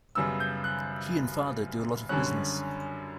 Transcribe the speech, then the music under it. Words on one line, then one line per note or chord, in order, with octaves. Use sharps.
He and father do a lot of business.
F#2 C#3 G3 B3 E6
G6
F#6
F#2 D3 G3 C#4 F#6